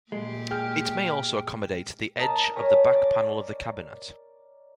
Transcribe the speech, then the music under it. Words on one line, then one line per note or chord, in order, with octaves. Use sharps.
It may also accommodate the edge of the back panel of a cabinet.
A#2 G#3 G4
G#4 G5 F6
A#4 D#5 A5 A#5 A6
A#4 C#5 G#5 A#6 B6
D5